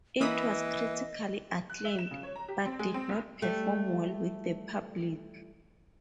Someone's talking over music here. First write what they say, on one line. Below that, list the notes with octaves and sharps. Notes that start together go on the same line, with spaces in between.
It was critically acclaimed, but did not perform well with the public.
E3 A#3 D#5 B5 D#6
F#6
E5
E7
C#3
C#5
A#5
G4
C4
G#3
C4
F#1
G3 A3